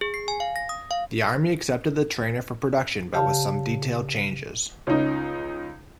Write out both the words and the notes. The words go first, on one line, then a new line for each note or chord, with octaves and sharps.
The Army accepted the trainer for production but with some detail changes.
G#4
C7
G#5
F5
A#6
D#6
F5
C#3 G4 D5 F5 A5
C#2 C#4 D#4